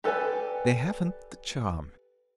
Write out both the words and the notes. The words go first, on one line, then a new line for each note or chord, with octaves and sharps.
They haven't the charm.
G4 A4 B4 D5 G#5